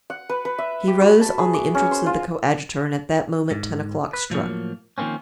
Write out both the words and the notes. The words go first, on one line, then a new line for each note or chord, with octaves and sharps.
He rose on the entrance of the coadjutor, and at that moment ten o'clock struck.
F#5
B4
B4
E5
G4
F#4
A5
G#4
D6
C#4
C5
F4
G#2
B4
A2 F3 F#3 A#3
D#3 F3 A#3 C4 C#4